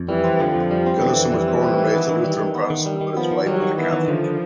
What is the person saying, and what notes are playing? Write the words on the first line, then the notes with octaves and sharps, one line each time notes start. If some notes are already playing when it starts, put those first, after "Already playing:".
Gunnarsson was born and raised a Lutheran Protestant, but his wife was a Catholic.
Already playing: F2
E3 G3
C4
D3 F3
F2
G3
C4
D3 E3
F2
G3
C4
G3
D#3
B3
D#3
G3
D#3
B3
D#3
G3
D#3
F3 B3
D#3
F#3 G3
D#3
E3 B3
D#3
D3 F3